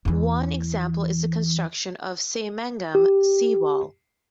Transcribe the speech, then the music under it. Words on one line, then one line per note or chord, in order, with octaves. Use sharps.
One example is the construction of Saemangeum Seawall.
E2 E3
G4